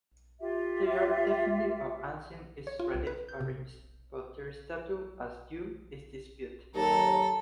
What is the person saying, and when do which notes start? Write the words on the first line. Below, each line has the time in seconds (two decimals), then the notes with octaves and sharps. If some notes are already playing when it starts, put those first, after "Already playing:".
They are definitely of ancient Israelite origin, but their status as Jews is disputed.
0.40 F4 G4 E5
2.67 C#5
2.79 F4
2.94 C2
3.07 B4
3.29 G6
3.41 C3
6.75 D#2 F#3 A4 A#5